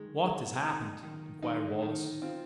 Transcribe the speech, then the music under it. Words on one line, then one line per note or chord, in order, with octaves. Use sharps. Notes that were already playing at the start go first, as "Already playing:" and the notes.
"What has happened?" inquired Wallace.
Already playing: D#3 G#3
G#3
D#4
D#3
D#3 D#4
D#3
C4 F4